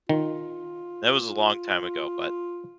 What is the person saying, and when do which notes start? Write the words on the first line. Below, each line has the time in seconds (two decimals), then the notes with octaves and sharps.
That was a long time ago, but,
0.09 D#3 F4